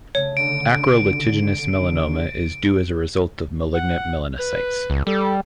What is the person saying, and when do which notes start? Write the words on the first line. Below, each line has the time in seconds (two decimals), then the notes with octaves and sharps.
Acral lentiginous melanoma is due as a result of malignant melanocytes.
0.15 C#3 A3 C#5
0.37 D3 D7
3.74 F#5
4.39 B4
4.90 C#2
5.07 G3 A4